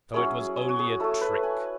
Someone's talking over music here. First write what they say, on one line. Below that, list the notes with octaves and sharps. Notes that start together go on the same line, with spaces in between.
So it was only a trick!
F#3 C#4 E4 G#4
G#4
F#4
G#4
A3 E4 A4
B4
G#5